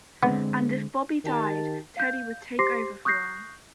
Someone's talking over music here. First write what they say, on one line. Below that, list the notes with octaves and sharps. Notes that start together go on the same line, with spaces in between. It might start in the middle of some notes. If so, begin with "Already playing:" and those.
And if Bobby died, Teddy would take over for him.
D3 G#3 B3 C4
D#3 G4 A5
F5 G6
G4 C5 C6 D6 A#6 C7
C#6 D#6 F#6 G6 A#6 C7